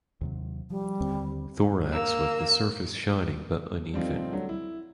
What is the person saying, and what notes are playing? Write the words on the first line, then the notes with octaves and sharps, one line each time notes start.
Thorax with the surface shining but uneven.
D#2 C3 F#3
F3 G3
D#2 D3 C4
A#3 E6
F3 G3 A3 C4 D#4 F4
D3 F#3 G3 A3
E4